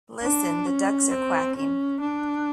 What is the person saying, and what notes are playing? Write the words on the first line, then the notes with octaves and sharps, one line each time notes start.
Listen! The ducks are quacking!
D4
C#4
C4
C#4
D4